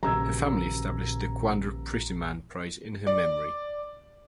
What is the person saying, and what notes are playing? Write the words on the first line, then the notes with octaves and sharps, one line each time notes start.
Her family established the Quandra Prettyman Prize in her memory.
D#1 A#1 C#3 F#3 A#5 E6 G#6
D5